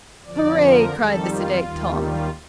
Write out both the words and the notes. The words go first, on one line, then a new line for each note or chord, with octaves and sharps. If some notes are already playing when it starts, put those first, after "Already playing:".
"Hooray," cried the sedate Tom.
F2 D3 F3 D5
A#4
F2 D#3 G3 A4
F4
D#2 D#3 G3
F4